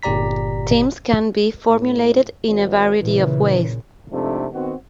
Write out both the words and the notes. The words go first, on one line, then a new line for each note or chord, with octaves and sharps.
Teams can be formulated in a variety of ways.
G1 A#2 G4 D5 A#5 B6
A2
G#1
A#2 C#3 E3
F2 G#2 C3 A3 C4 D4
D#3 B3 C4 F#4